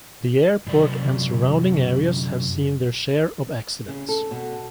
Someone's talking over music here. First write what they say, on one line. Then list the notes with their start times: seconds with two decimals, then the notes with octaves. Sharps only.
The airport and surrounding areas have seen their share of accidents.
0.67 F#2 C3 D5
3.88 C#3
4.09 A4
4.31 B2